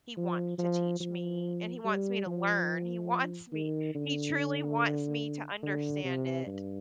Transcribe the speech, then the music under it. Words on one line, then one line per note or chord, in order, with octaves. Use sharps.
he wants to teach me and he wants me to learn. He wants me he truly wants me to understand it.
F3
F3
F3
G3
F3
D#3
D3
D3
C3
G2